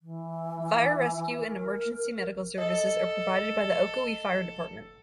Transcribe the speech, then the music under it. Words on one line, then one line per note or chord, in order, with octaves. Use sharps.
Fire rescue and emergency medical services are provided by the Ocoee Fire Department.
E3
A#4
A4 D#5